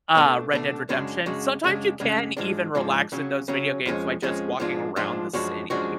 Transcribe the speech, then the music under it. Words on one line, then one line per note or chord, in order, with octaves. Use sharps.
uh, Red Dead Redemption, sometimes you can even relax in those video games by just walking around the city.
B2 A3 D4
B2 A3 D4
F#2 C#3 G#3 D4 F#4
F#2 C#3 G#3 D4 F#4
F#2 C#3 G#3 D4
F#2 C#3 G#3 D4
G#2 F3 G#3 D4
G#2 F3 G#3 D4
C#3 F#3 C#4
C#3 F#3 C#4
F2 F3 G#3 C#4
F2 F3 G#3 C#4
G#2 F3 G#3 D4 F4
G#2 F3 G#3 D4 F4
F#2 F3 G#3 D4 F#4
F#2 F3 G#3 D4 F#4